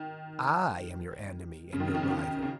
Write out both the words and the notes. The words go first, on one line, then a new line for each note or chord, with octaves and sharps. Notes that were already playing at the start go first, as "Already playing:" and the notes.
I am your enemy and your rival.
Already playing: D#3
C#3
D#3
C#3
D#3
C#3
D#3
C#3
C#3